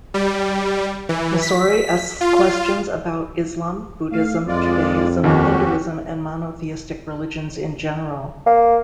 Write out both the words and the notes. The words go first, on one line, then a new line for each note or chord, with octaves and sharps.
Messori asks questions about Islam, Buddhism, Judaism, Hinduism, and monotheistic religions in general.
G3
E3
B6
F4
A3 F5
F2 G#3 F4 D5
D#2 C#4 F#4 G4
A#3